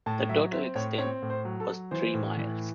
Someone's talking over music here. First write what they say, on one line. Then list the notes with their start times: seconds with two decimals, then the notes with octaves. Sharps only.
The total extent was three miles.
0.06 A2 A5
0.29 F#3 E5
0.52 C4 E5
0.75 A2 C#5
0.98 C4 C#5
1.22 A2
1.30 C5
1.45 F#3
1.60 A4
1.68 F#3
1.91 E3 C5
2.14 A2
2.37 E3